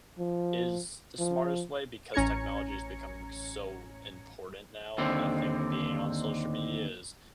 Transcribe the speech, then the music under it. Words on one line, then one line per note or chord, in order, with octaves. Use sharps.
is the smartest way because technology is becoming so important now. I think being on social media is
F3
F3
A1 C#4 A#5 G#6 C#7
D#2 D3 C4